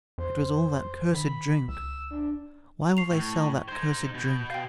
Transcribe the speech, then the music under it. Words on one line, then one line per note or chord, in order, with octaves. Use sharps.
It was all that cursed drink; why will they sell that cursed drink?
F2 C5
D#3 B5
C#2 E6
D4
C#6 C7 F7
A2
D#4 C5 G#6
B2 G6
F5 G5